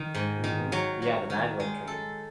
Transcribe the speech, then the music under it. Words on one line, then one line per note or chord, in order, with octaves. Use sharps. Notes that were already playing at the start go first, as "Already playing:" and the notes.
Mhm. Yeah, the maglev train.
Already playing: D#3
G#2
D#3
F#3
F#3
D#3
G#3
A4